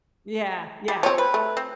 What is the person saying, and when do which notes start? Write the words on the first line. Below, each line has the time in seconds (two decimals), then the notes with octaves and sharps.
Yeah, yeah.
0.88 G3
1.03 F3 C4 C#5
1.18 B4
1.34 A3
1.57 C4